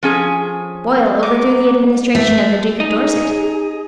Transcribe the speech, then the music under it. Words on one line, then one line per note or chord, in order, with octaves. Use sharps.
Boyle overthrew the administration of the Duke of Dorset.
F3 C#4 G#4
B3 D#4 D6
A3
D#4 G#4 D#5 A#5